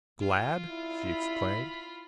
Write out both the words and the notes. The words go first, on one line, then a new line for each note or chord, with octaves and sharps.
"Glad!" she exclaimed.
F4
E4
B5